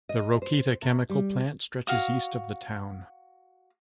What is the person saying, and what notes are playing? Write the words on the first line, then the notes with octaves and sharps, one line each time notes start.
The Rokita Chemical Plant stretches east of the town.
D#5
C5
C3
G3
F#4 F5 D#6